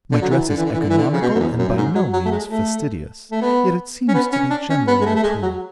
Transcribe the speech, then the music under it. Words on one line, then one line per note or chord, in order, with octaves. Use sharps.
My dress is economical and by no means fastidious; yet it seems to be generally approved.
D3
F#3
E3
D3
E3
D3
E3
D3
E3
D3
C#3
B2
F#2
E2
F#2
F#2
G#2
F#3
F#3
A3
G#3
A3
A3
B3
C#4
B3
C#4
D4
C#4
B3
G#3
A3
A3
G#3
F#3